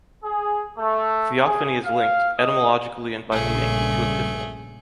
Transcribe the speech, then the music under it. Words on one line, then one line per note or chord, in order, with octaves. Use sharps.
Theophany is linked, etymologically and by meaning, to epiphany.
G#4
A3
G#4
F5
D#5
A#1 G2 C#3 A3 G#4